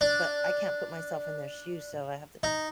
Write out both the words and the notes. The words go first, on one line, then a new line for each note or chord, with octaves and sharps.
But I can't put myself in their shoes, so I have to
D4
D#4